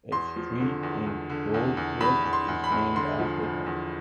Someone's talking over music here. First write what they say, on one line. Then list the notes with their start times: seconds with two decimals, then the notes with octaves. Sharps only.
A street in Dordrecht is named after him.
0.12 E2 C6
0.36 F3
0.60 D3
0.83 E2
1.06 E2
1.30 D3
1.54 E2
1.77 E2
2.01 E2 B5
2.24 E2
2.33 C6
2.48 E2
2.64 B5
2.72 E2
2.95 D3 C6
3.19 F3
3.43 F3
3.66 E2